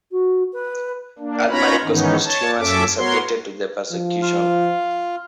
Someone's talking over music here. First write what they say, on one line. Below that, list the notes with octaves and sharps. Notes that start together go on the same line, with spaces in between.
Almaric was posthumously subjected to the persecution.
F#4
B4
A#3 D4
C#4 D#4 F4 C#5 A#5 B5
G#2 D#3 E3 B3 C#4 D#4
C#5 A5
F#2 C#4 A4 E5 D6
B3 F#4 A#4 C#5 C6
F3
F4 F5